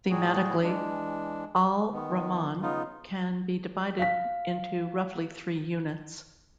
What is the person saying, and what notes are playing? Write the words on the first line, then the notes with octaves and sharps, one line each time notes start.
Thematically, Al-Rahman can be divided into roughly three units.
A2 F#3 G3 F#4 G#4
E3 G#3 D4
D#3 B3
C#3 B3 D#4 F4
F5 B6